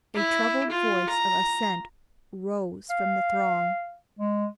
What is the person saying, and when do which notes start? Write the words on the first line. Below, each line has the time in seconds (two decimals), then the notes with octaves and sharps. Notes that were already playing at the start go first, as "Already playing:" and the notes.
A troubled voice of assent rose from the throng.
0.14 E4
0.70 F4
1.09 A#5
2.90 F5
4.19 G#3